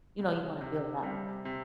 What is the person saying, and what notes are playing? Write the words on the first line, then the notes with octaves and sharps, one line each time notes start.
you know, you wanna build that bond.
C3
C3
C3 G3
C3